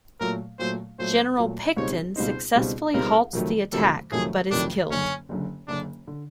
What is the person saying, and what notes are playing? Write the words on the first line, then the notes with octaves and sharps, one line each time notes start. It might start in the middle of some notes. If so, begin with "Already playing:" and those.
General Picton successfully halts the attack but is killed.
A#2 F#3 A3 A#4
A#2 F#3 A3 C5
A#2 F#3 A3 C5
A#2 F#3 A3
C#2 B2 G3 C4 D#4 C#5
C#2 B2 G3 C4 D#4 C5
C#2 B2 G3 C4 D#4
C#2 B2 G3 C4 D#4 A#4
F2 C3 D#3 F#3 A3
F2 C3 D#3 F#3 A3 A4
F2 C3 D#3 F#3 A3 G#4
F2 C3 D#3 F#3 A3 D4
F#1 F#2 D3 C#4
F#1 F#2 D3
F#1 F#2 D3 D4
D3